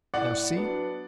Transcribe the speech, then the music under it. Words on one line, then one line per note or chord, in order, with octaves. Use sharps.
Now see!
A2 D5 F#5
F#3 B3 D4